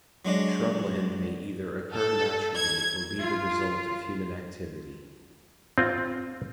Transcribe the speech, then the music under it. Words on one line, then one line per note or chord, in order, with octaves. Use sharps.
Shrubland may either occur naturally or be the result of human activity.
F#3 G#3 D4 F#4
A4
G#6
F4
C4 F4